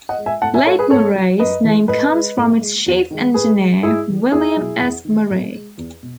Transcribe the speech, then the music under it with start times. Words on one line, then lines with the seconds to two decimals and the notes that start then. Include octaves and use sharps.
Lake Murray's name comes from its chief engineer William S. Murray.
0.09 D#5 F#5
0.18 G#3
0.26 E5 G#5
0.42 A2 F#5 A5
0.54 E5 G#5
0.66 G#3 A4 C#5
0.79 G#4 B4
0.90 G#2 A4 C#5
1.16 F#3
1.39 F#2 B4 D#5
1.64 E3 G#3
1.88 A2 B4 D#5
2.13 G#3
2.38 A2
2.61 G#3
2.86 E2
3.11 D#3 G#3
3.34 A2 G#4 B4
3.58 G#3
3.83 G#2 E4 G#4
4.08 E3 G#3
4.32 E2 E4 G#4
4.57 B2 F#3
4.81 E2
5.05 D#3 G#3
5.30 A2
5.54 G#3
5.78 E2
6.03 B2